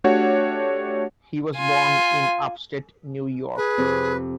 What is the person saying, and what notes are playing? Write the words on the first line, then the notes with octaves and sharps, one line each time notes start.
He was born in Upstate New York.
A3 D4 F#4 G4 C#5 F#5
F4 G#5
G#4 B4
F2 C3